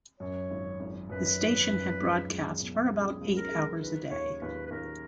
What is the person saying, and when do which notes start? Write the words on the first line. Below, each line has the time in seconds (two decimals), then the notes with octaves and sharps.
The station had broadcast for about eight hours a day.
0.20 F#2 C#5
0.50 G#1
0.80 G#1
1.10 F#2 B4
1.41 G#1
1.70 F#2
2.01 C#2
2.30 C#2
2.60 B2
2.91 C#2 G#4
3.21 C#2
3.35 A#4
3.51 G#3
3.81 D#3 B4
4.10 D#2 C#5
4.41 D#2 B4
4.67 B4
4.71 D#2 A#4